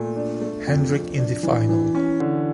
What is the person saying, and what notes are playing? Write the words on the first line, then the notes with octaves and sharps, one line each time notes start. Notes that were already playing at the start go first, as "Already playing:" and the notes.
Hendrick in the final.
Already playing: A#2 A3
D4
A3
F2
F2
D4
E3
E3
C#4
D3